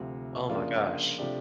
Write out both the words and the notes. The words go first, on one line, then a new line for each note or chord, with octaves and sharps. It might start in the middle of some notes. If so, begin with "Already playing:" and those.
Oh my gosh.
Already playing: D2 C3 F3
C#3 F3 A#3 D4 F4
C3 F3 A3 D4 G4